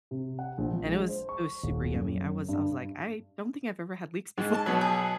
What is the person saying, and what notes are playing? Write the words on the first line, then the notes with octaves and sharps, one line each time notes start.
and it was it was super yummy, I was I was like, "I don't think I've ever had leeks before,
C3
F#5
A#1
F3
G#3
C5
C#6
D#1
F#2
G2
G#2
A5
B2 F#3
G#4